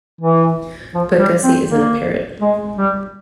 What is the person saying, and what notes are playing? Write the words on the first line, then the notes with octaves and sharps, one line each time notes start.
But Gussie isn't a parrot.
E3
F3
G3
C4
A#3
G#3
G3